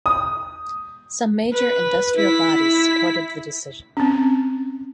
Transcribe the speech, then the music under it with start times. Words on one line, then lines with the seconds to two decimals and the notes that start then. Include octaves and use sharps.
Some major industrial bodies supported the decision.
0.06 D#6
1.53 B4
2.17 E4 B6
3.97 C4 C#4